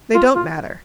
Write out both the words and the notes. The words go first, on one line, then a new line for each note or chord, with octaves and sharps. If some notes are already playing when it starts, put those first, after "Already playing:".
They don't matter.
F4
F4